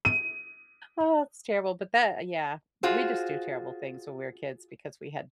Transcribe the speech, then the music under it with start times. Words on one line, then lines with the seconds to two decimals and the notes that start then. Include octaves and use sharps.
Oh, that's terrible, but that yeah, we just do terrible things when we're kids because we had
0.05 D#7
2.83 F4 F#4 G#4 C5